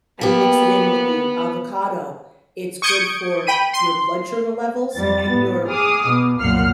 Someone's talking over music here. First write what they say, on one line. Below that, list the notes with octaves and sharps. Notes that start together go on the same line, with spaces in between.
and mix it in with the avocado, it's good for your blood sugar levels and your
A#3 B3 G4
C#6 D#6 G6 G#6 C#7 D7
G5 B5 D#7
C6
F2 G3 A6
A2 B3
G#4 D6 D#6 F6
B2
C2 F#2 A#2 F#5 F6 C7